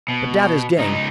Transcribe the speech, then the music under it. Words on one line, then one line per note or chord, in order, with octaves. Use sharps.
But dad is game.
B2
C#2 D#4